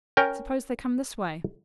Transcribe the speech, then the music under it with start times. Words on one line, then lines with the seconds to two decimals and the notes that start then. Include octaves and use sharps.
Suppose they come this way.'
0.17 C#4 A#4 G5